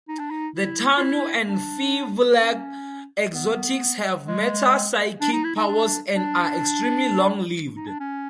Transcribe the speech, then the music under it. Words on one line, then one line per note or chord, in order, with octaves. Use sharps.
The Tanu and Firvulag exotics have metapsychic powers and are extremely long-lived.
D#4
D4
D#4
E4
F4
E4
D4
C#4
B3
G#3
D4
D#4
E4
D#4
D4
D4
D#4
D4
C#4